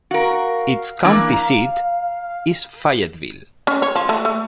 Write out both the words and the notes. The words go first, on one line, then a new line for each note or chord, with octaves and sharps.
Its county seat is Fayetteville.
F#4 A#4 F5
E3 A#3 D4
A#5
C#4
C#5
F3
A3
A3